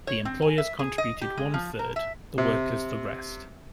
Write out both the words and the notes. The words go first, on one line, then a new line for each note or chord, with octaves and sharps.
The employers contributed one-third, the workers the rest.
C#5
C4
G#5
E5
G#4
D#5
G4
G#3
F3
A#4
E5
C3